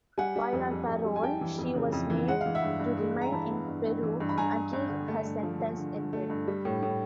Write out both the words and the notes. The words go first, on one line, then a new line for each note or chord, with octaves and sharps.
While on parole, she was made to remain in Peru until her sentence ended.
G3 F#5 G#5
G3
F2
F2
F2
G3
G#5
G3 G5 A5
E3
F2
C#3
F2
E3
G#3 F#5
F5
E3
E5 F#5
G2
G2
G#3
G#3
A#5
E3 A5 B5
B3
G2
G2
E3
G2
B5
G2 G#5 A#5
G2
G2
D3
A3
G2
F3
F3
D3
D3
A3
G2
G3
A2
A2